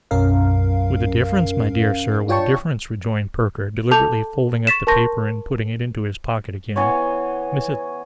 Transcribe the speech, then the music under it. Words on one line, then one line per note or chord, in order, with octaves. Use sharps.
'With a difference, my dear Sir; with a difference,' rejoined Perker, deliberately folding up the paper and putting it into his pocket again. 'Mrs.
B1 F#2 C#4 A#4 F5
D4 F4 C#5 G5 A5 C#6
A4 A5 D6 G6 F7
C#6 A6 B6 E7
A#4 A5 C6 C#6 G6 A#6
E3 B3 C#5